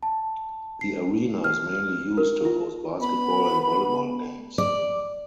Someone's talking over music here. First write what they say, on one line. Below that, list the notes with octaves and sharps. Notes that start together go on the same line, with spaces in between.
The arena is mainly used to host basketball and volleyball games.
A5
C7
F6
A#4
F4
B3 B5
D5